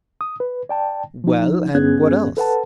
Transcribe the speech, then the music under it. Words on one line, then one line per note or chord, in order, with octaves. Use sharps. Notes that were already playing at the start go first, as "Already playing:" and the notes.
"Well--and what else?"
D#6
B4
D5 G5 A5
F3 D#4
G2 B3 C#4 G#4 F#6 G#6
A4 B4 F#5 A5